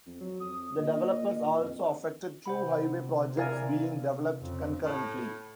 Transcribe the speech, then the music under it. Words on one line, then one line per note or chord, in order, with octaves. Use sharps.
The developers also affected two highway projects being developed concurrently.
F2
F#3
F2 D#6
A#2 D#5
F2
C3 C5 F#5 B5
E4 A#4 D5 F5 G#5
F2 C#3
A2